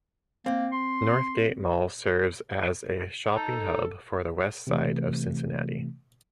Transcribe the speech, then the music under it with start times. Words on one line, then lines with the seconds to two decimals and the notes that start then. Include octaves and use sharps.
Northgate Mall serves as a shopping hub for the west side of Cincinnati.
0.46 A#3 C4
0.72 C6
3.36 D#4 A4
4.67 C3 E3 A3